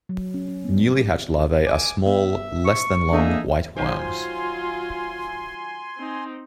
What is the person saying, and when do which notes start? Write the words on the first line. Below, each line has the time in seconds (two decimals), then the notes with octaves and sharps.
Newly hatched larvae are small, less than long, white worms.
0.09 F#3
0.34 C#4
0.48 C#4
0.64 B3
1.66 G#5 D6
2.06 B3 E5
2.65 C#6
3.13 A#3 D4 D#4 G#4 A4 E5
3.77 D#3 F#3 F4 C5 G#5 C6
5.97 C4 D#4